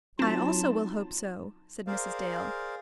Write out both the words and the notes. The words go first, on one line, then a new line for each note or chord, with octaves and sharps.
"I also will hope so," said Mrs. Dale.
F#3 C4 D#4 F4 A5 A6
G#4 A#4 C5 D5 F5